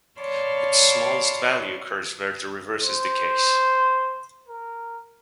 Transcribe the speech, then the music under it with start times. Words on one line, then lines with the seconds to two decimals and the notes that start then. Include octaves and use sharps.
Its smallest value occurs where the reverse is the case.
0.20 C#5 D5 F5 A5 B5 C6
2.83 C5
4.48 A#4